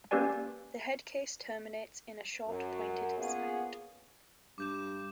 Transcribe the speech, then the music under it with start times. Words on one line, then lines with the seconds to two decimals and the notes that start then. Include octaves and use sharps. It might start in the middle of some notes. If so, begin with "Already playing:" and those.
The head-case terminates in a short pointed snout.
0.11 A#3 C#4 G4 B4 D5 G#5
2.45 F#2
3.17 A#3 B3 C#4 F4 G#4
4.58 G2 D6 G6 E7